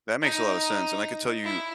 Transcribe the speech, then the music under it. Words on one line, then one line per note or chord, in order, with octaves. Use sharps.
That makes a lotta sense, and I could tell you-
D#4
E4